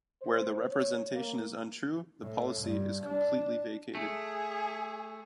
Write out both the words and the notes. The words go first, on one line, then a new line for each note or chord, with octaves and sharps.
Where the representation is untrue, the policy is completely vacated.
C5
C#5
A#3
A2
G2
D4
A3 G#4